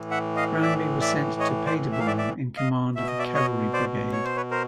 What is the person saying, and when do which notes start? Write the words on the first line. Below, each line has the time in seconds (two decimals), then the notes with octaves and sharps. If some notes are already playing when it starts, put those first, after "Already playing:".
Granby was sent to Paderborn in command of a cavalry brigade.
Already playing: A2 E3
0.11 E5 F#5
0.36 D#5 F5
0.62 D5 E5
1.01 D5 E5
1.40 C#5 D#5
1.66 C5 D5
1.92 E5
2.00 F5
2.07 D5 E5
2.18 D5 E5
2.57 D#5 F5
2.95 B2 E5
3.07 D#5
3.19 D5 E5
3.34 C#5 D#5
3.73 C5 D5
4.13 C#5
4.25 C5
4.37 B4 C#5
4.51 A#4 C5